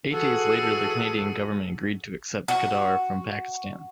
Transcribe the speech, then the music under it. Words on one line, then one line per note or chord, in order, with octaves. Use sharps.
Eight days later the Canadian government agreed to accept Khadr from Pakistan.
E3 F#4 G#4 A4
F#4